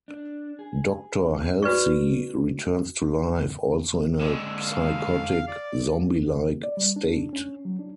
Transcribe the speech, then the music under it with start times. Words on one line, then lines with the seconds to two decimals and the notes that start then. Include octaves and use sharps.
Doctor Halsey returns to life, also in a psychotic, zombie-like state.
0.08 D4
0.59 G#4
1.62 F#4 B4 D5 C#6
4.21 D3 G#3
4.58 F5
5.48 D5
6.63 D5
6.77 G3
6.96 D4
7.33 C#4
7.65 F#3
7.79 D4